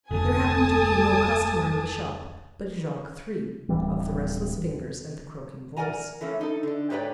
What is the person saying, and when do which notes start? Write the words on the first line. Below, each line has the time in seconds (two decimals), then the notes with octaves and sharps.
There happened to be no customer in the shop but Jacques Three, of the restless fingers and the croaking voice.
0.11 F1 D2 A4 G#5 A5 D#6
3.69 D1 E3 G3
5.77 A#4 D5 F#5 G#5 A#5
6.21 E3 A3 A#3 C#4
6.41 D#4 A4
6.63 D3 D5
6.90 G#2 G4 B4 C#5 D5 G5